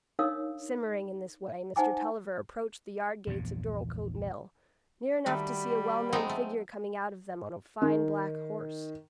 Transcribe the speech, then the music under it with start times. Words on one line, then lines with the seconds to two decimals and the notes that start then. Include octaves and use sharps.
Simmering in this way, Mr. Tulliver approached the yardgates of Dorlcote Mill, near enough to see a well-known figure coming out of them on a fine black horse.
0.19 D4 D#4 A#4 C#5 F5 D#6
1.76 D#4 C5 F#5 G#5 A5 D6
3.27 A#1 E2 G2 A#2
5.26 D#3 G3 A3 F#4 B4 G5 B5
6.13 F#3 G#3 B3 C4 D#4
6.30 A3
7.82 D#3